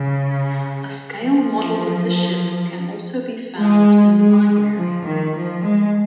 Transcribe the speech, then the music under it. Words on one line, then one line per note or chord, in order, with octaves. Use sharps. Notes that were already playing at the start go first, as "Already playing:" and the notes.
A scale model of the ship can also be found in the library.
Already playing: C#3
F3
G#3
G#3
F3
D#3
F3
G#3